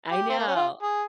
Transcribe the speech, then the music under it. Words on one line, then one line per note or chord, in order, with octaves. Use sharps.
I know
G4
C4
A#3
C#4
F4
G#4